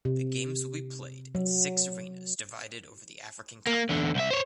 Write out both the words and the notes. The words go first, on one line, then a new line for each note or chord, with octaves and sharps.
The games will be played in six arenas divided over the African continent.
C3
F#3
A#3
E2 D3
C2 E5
C5 C#5